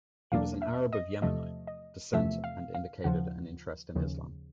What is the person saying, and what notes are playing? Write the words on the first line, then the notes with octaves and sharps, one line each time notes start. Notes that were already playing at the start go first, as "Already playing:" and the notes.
He was an Arab of Yemeni descent and indicated an interest in Islam.
E2 B2 F#3 A#3 D4 F5
E5
D#5
E2 C3 F3 A3 D#5
D#5
E2 C3 F3 A3 E5
F5
F5
D#2 C#3 F3 F#5
D#2 C#3 F3